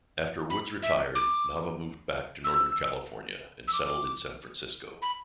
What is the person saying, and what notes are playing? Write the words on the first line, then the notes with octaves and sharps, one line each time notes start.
After Woods retired, Nava moved back to Northern California and settled in San Francisco.
B5
E5
D6
E6
E6
D6
B5